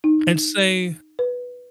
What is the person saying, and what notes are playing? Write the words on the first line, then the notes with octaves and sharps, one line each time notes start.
And say
D#4
B4